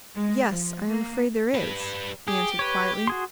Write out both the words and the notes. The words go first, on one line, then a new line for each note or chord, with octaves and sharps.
"Yes; I am afraid there is," he answered quietly.
G#3
F3
A#3
G3 B4
G4 G#4
B4 C#5
F#4 G#4 C6